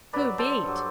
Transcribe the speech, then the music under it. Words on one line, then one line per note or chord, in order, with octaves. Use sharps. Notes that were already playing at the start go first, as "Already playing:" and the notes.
"Who beat?"
G2 F#3 B4 D5
A4 C5
G2 F#3